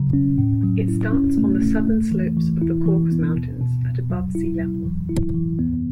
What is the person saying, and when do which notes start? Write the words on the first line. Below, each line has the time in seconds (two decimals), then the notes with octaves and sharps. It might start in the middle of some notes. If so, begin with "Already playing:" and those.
It starts on the southern slopes of the Caucasus Mountains at above sea level.
Already playing: C#3 F#3
0.13 C#4
0.38 A2
0.64 F#3
0.88 E4
1.13 C#4
1.38 A3
1.62 A3
1.87 A3
2.11 E3
2.37 E3
2.62 E4
2.86 E3
3.12 B3
3.36 B2
3.61 B2
3.85 B2
4.10 F#3
4.35 E4
4.59 F#3
4.85 E3
5.09 E4
5.35 E3
5.59 B3